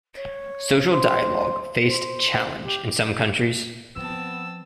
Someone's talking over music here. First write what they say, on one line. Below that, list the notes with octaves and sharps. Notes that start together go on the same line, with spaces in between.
Social dialogue faced challenge in some countries.
C#5
C5
C5
G4
F3 B3 C4 A5 E6